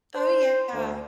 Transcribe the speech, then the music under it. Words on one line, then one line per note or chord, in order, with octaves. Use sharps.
Oh, yeah.
C5
D2